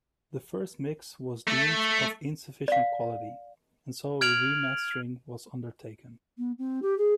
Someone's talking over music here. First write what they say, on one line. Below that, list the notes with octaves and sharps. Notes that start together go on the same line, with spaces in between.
The first mix was deemed of insufficient quality, so a remastering was undertaken.
A3
D5 F5
F6 G#6 D7 F7 F#7
B3
C4
G4
G#4